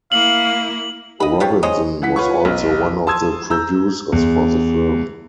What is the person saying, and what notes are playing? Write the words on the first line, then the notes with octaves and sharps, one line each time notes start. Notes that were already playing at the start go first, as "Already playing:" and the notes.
Robinson was also one of the producers for the film.
A#3 E4 F5 F#7
D#5 B5
F4 G4 C#5
G#4 C5 C#5 D#5
E3 F#5 B6
F4 B4 C#5 F#5 C#6
B1
A5 C6 D#6 E6 G#6
A#5 E6 G6
E2